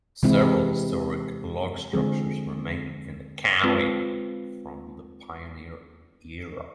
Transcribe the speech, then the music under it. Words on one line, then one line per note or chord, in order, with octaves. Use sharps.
Several historic log structures remain in the county from the pioneer era.
C3 E3 G#3 C4 E4
D3 F3 G#3 C4 G#4
G#3 C4 F4 B4